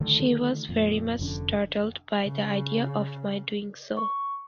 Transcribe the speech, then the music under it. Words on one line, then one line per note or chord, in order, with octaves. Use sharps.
She was very much startled by the idea of my doing so.
D3 D#3 F3 A3
F2 A#2
F1 F2 D3 C#4
C#3
C#6